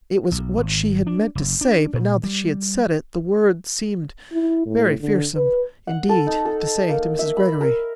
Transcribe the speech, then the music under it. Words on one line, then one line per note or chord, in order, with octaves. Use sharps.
It was what she had meant to say, but now that she had said it, the words seemed very fearsome indeed--to say to Mrs. Greggory.
B1
G#1
D4
F#1
D4
A#2
G3
E4
A2
D3
B4
F#5
A4
D#4
A4
A#3
E5
B5
A#4